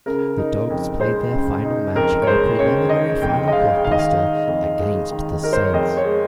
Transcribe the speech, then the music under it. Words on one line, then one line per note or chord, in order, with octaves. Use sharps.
The Dogs played their final match in a Preliminary Final blockbuster against the Saints.
C#3 A#4
D#4
F2
G#3 C5
C#3
D#4
F2 A#4
C#5
G#3 C5
C#3 C#5
D#4 D#5
F2 G5
D#5
G#3 F5
D#3 F5
D#5
F5
D#4
F2
G#3
D#3
D#4 A#4
C5
C#5
F2 D#5
C#5
G#3